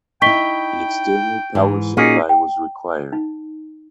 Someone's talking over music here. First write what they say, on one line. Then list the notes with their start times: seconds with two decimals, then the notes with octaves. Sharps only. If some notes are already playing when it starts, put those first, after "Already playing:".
An external power supply was required.
0.22 D#4 E4 G5 C#6 B6 G7
1.55 G#2 E3
1.97 A#2 A#3 C#4 D#4 F#4 G#4
2.29 G5
3.13 D#4